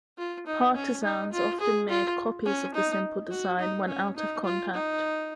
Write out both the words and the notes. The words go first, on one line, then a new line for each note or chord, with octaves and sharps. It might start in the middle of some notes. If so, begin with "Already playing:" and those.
Partizans often made copies of the simple design when out of contact.
F4
D#4
C#4
D#4
F4
G#4
F4
C#4
D#4
F#4
D#4
C#4
D#4
F4
D#4